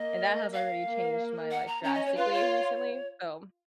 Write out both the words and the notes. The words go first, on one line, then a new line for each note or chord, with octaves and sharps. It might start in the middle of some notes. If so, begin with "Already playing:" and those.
and that has already changed my life drastically recently. So,
Already playing: A#3 D#5
F5
A#3
F#5
A#5
C#4 A#5
D#5
C#5
F4 B4
C#5